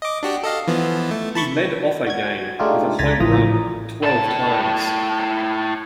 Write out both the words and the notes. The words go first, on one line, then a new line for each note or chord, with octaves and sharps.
He led off a game with a home run twelve times.
D#5 D6
D4 F#4 G4
A4 D#5 F5
E3 F3 B3
A3
A5 B5 C#6
F#4 G#6
G#3 A3 D4 D#4 F4 G4
C#2 G#5 A#5 A6 B6
A1 A2 E3 F3 A#5 D#6
A2 A5